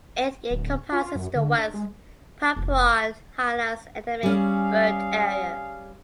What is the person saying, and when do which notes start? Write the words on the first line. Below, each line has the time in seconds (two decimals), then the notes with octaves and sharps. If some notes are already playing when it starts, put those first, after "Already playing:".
It encompasses the West Papuan highlands endemic bird area.
0.50 D1
0.92 F4
1.15 F#2
1.35 D3
1.58 D4
1.74 G#3
2.56 F1
4.23 G3 C#4 G#4 F5